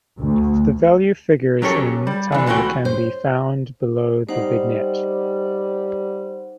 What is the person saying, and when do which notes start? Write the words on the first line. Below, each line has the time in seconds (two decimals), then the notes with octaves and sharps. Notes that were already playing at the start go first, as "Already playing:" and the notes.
The value figure in Tamil can be found below the vignette.
0.19 D2
1.62 F#3 C#4 G4 A4 A#4 C#5
2.07 G3
2.32 D3 E3
2.47 C#2 E3 A3 D4 F#4 G5
2.85 C5
4.29 G3 D#4 C5 F#5